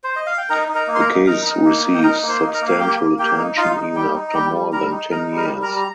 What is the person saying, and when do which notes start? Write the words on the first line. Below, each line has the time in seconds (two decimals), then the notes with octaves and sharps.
The case receives substantial attention even after more than ten years.
0.04 C5
0.16 D#5
0.26 F5
0.38 G5
0.49 D#4 A#4 A#5
0.68 D#4
0.75 A#4 A#5
0.88 A#3
0.95 C6
1.00 A#4 A#5
1.08 D#4
1.27 D#4 A#4 A#5
1.46 D#4
1.65 A#3
1.84 D#4
1.94 G5
2.03 D#4 A#4 A#5
2.22 A#3
2.29 C5 C6
2.42 D#4
2.54 A#4 A#5
2.61 A#3
2.68 F5
2.80 A#3 G4 G5
2.99 A#3
3.19 A#3 G4 G5
3.38 D#4
3.57 D#4 F4 F5
3.77 D#4
3.95 G3 G4 G5
4.15 D#4
4.29 A#5
4.34 G3 G4 G5
4.53 G3
4.72 G3 A#4 A#5
4.92 D#4
5.11 D#4 A#4 A#5
5.31 G3
5.37 A#4 A#5
5.50 G3
5.62 A#4 A#5
5.69 G3
5.76 A#5